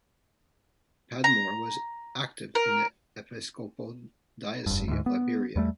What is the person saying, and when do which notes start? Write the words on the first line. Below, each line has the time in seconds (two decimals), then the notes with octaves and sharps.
Padmore was active in the Episcopal Diocese of Liberia.
1.24 A#5
2.55 A#4
4.66 F1 G2
4.88 D2 G#2
5.06 B3
5.56 E2 G3 A3